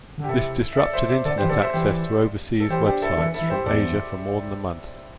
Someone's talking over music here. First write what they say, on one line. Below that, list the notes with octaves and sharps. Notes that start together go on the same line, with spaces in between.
This disrupted Internet access to overseas websites from Asia for more than a month.
D3
G4
C3 E4 A4
E5
A4 D5
C5 E5
C5 E5
D3 A4 D5
G4 C5
E3
D3 A4 D5
C5 E5
E3 G4 C5
A4
E3 G4 C5
D4 G4
E4 A4
E3 E4 A4
E4 A4
E3
G4 C5
E2 A4 D5